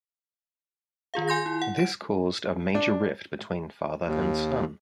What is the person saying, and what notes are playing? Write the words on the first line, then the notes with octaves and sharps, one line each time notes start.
This caused a major rift between father and son.
D#3 F4 G#4 F5
G#5 C6 G6 A#6
E4
F#5
D7
D4
D#2